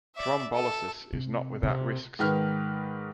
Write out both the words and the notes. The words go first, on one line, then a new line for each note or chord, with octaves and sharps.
Thrombolysis is not without risks.
D5 E5
A4
C3
C3
G#2 D#3 B4 F6